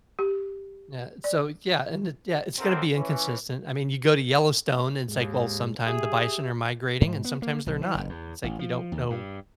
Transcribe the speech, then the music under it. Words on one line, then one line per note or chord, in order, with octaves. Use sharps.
Yeah, so yeah, and it yeah, it's gonna be inconsistent, I mean, you go to Yellowstone, and it's like, well, sometimes the bison are migrating, and sometimes they're not, it's like, you don't know,
G4
D5
B1 E2 D3 C4 A#4
E3 C#4
D#2 G#2 G#3
G4 G#4 E5
G#2
B3
A#3
B1
E3
F#1
E2
A1
F3
D#2
G2